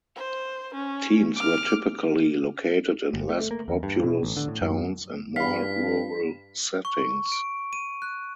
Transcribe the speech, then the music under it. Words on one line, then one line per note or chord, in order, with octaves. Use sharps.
Teams were typically located in less populous towns and more rural settings.
C5
C#4
D6 F6
G1
A3
A#3
E2
G2
B2
A1
D3
A2
F#2
G2 F5 B5 B6
C#6
D7
D#7
F#6